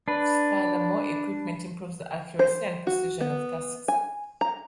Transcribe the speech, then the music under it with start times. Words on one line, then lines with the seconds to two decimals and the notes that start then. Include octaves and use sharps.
Furthermore, equipment improves the accuracy and precision of tasks.
0.08 D4 B4
2.39 C5
2.87 F#4
3.21 B3
3.88 G#5
4.41 A#5